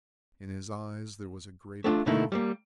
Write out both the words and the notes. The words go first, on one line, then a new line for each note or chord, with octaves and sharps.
In his eyes there was a great appeal.
A3 B3 D4 F4
B2 D3 A3 A#3 D#4 E4
G3 G#3 A#3